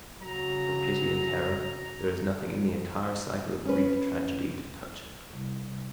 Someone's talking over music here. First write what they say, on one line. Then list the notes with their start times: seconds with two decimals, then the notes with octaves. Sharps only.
For 'pity and terror' there is nothing in the entire cycle of Greek tragedy to touch it.
0.22 C#3 F#3 A#5
3.65 C#4 B4
5.32 C2